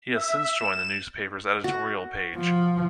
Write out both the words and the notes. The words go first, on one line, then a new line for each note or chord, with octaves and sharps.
He has since joined the newspaper's editorial page.
E5
E7
F#4
F3